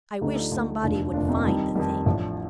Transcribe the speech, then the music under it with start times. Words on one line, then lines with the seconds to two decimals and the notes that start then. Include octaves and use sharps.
I wish somebody would find the thing.
0.21 D2 D3 A3 D#4 G4
0.36 D4 F4
0.52 D2 D3 A3
0.83 F1 D#2 D3 D4 F4
1.13 F1 D#2 D3 D4 F4
1.29 C4 D#4
1.44 F2 D#3 G3
1.75 F2 D#3 G3
2.06 A1 A2 F3 D4